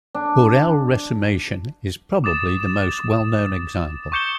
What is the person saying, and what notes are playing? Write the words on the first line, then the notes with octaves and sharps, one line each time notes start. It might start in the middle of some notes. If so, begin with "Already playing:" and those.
Borel resummation is probably the most well-known example.
D4
D6 D#6 A6 E7
C#6 D6 G6 C#7 E7 G7